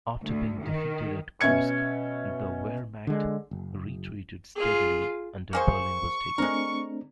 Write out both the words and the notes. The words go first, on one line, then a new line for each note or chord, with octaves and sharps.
After being defeated at Kursk, the Wehrmacht retreated steadily until Berlin was taken.
D2
D#3
B2 B3 C#4 E5 G#6 C#7
D3 G#3
F#1
F4 G#4
A#3 G#4 C5 C#6
G#3 A3 C4 D4 A#4